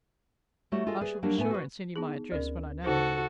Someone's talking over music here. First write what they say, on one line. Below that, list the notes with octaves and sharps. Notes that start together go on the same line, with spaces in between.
I shall be sure and send you my address when I know it.'
G3 A3 E4 F#4 C#5
F4 F#4 G#4 A4 D#5
G#4 B4 D5
F#3 G3 A#3 D4 G4
A2 B3 G#5
F#4 B4
B3 D#4 G#4
D2 C#4 A#4
C#3 D#4 F#4 A4 C5